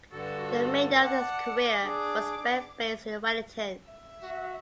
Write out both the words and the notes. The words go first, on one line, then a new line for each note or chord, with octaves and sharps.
The remainder of his career was spent based in Wellington.
G2 D3 F#4 A4
D5 F#5 A5
D4 G#4 D6
E5
F#4